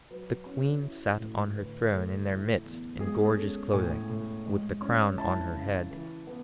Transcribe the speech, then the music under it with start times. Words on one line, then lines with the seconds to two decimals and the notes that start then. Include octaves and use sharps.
The Queen sat on her throne in their midst in gorgeous clothing, with the crown on her head.
0.10 F#3 B4
0.46 C#4
0.83 E4
1.19 A2
1.55 D3 B4
1.92 A3
2.28 E4
2.64 E2
3.00 G#3 G#4
3.19 G#4
3.37 C#4 A4
3.73 A2 G#5
4.09 A2
4.46 G#3
4.82 C#4
5.18 E4 A5
5.55 C#3
5.91 E3
6.27 B3